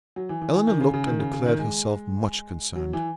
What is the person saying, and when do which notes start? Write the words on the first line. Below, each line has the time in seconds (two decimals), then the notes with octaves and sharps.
Eleanor looked and declared herself much concerned.
0.16 F#3
0.29 E3
0.42 E3
0.55 E3
0.67 D#3
0.81 C#3
0.94 C#3
1.07 D#3
1.19 C#3
1.33 C#3
1.46 D#3
1.59 G#3
2.76 F#3
2.93 E3